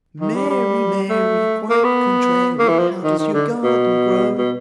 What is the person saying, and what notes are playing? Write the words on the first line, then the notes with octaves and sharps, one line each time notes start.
Mary, Mary, quite contrary, How does your garden grow?
D#3
G3
G3
A3
A#3
B3
A#3
E3
F3
D#3
D#3
D3
B2
B2